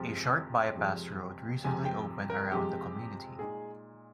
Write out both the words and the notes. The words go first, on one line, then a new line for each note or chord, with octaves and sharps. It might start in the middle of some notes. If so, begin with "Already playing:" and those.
A short bypass road recently opened around the community.
Already playing: F2 C3 F3 G#3
F2 C3 F3 G#3
F2 C3 F3 G#3 G#5
G5
A#4
F2 C3 F3 G#3 G4
A#2 G#3 D#4 G#4